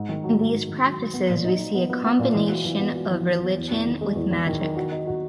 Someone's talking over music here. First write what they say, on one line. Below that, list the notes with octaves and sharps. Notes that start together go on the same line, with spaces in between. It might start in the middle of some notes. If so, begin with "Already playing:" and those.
In these practices we see a combination of religion with magic.
Already playing: G#2
D#3
F#3
G#2
G#2
D#3
F#3
F#3
B3
A#2
D#4
D#4
B3
B3
B3
A#2
E3
F#4
E3
B3
F#4
E3
E3
B3
E2
E2
D#3
G#3
E2
E2
D#3
D#3
F#4
D#4
F#4